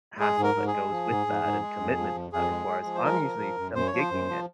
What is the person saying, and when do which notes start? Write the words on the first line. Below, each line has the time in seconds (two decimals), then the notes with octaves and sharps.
hassle that goes with that and commitment that that requires, I'm usually I'm gigging it.
0.20 G#3 G#4
0.38 G#2
0.43 A#4
0.55 G#2
0.67 G#4
0.74 G#3
0.91 F3
1.08 G#2
1.26 G#2
1.44 G#2
1.62 G#3
1.79 F2
1.97 F3
2.15 F2
2.33 F2 G#4
2.50 G#3
2.68 G#3
2.85 F3
2.95 C5
3.04 G#3 A#4
3.21 F3
3.39 F3
3.57 F#2
3.74 F#2 C5
3.87 C#5
3.92 F3
3.99 C5
4.11 F#2
4.28 F3